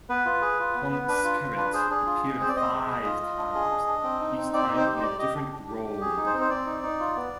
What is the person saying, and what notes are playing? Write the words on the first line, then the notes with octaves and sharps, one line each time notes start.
Tom Skerritt appeared five times, each time in a different role.
B3 B4
F4
G#4
F4
B3
B3
D4 B4
F4
F4
D4 B4
G#4 C5
D4 G#4
F4
G#3
C4 C5
D5
C4 D#5
G#3
G#4
F4
F4
D4
G#4
D4
D4
C4
D#4
C4
C4 D5
D#4
C5
G4
C5
G4 D5
G4 D#5
D4
D4
G4
G4
G#4
D#4
C5
C4
C5
C4 D5
D#4
D#4
F4
B3